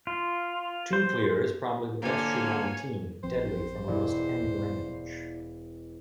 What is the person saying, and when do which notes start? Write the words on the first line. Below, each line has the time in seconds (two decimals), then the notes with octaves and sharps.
Tuncluer is probably the best shooter on the team, deadly from almost any range.
0.07 F4
0.93 C5
2.02 D3 F3 A#3 C#5 G#5
3.24 A1 F3 C4 C5
3.88 E1 E4 D5 C7